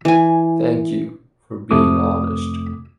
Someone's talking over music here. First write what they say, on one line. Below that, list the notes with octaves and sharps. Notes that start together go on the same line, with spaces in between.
Thank you for being honest.
E3 G#5
F2 C3 A3 D6 D#6